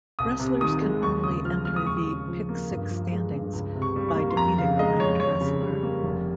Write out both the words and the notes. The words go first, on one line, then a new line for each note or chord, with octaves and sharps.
Wrestlers can only enter the Pick Six Standings by defeating a ranked wrestler.
C2 D#6
C3
D#3 D#6
G#3
D#2 C#6
C#3 D#6
F3 F6
G#3 F6
D#6
D#2 C#6
D#6
C#3
F3
A#3
G2
F3
G#3
G2
C#2
C3
C#6
G3
C#6
A#3
C6
F2 A#5
C#3 F5
G#3 D#5
F2 C#5
F2 C#5
C#3
G3
A#3
F1